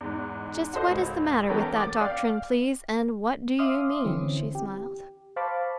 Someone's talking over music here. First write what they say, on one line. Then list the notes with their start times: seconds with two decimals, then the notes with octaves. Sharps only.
"Just what is the matter with that doctrine, please, and what do you mean?" she smiled.
0.01 E2 G#2
0.73 F#4 A4 C5 D#5
0.88 G#1 C#2
1.49 E3 B3 G4 A4 A#4 C#5
1.76 D6 A6
2.00 D5 F5 G5
3.59 E5 F5 C6 D6 D#6 F6
4.04 D3 E3 C4 C#4 E4
4.55 G4
5.36 C5 F5 A5 B5 C#6 D6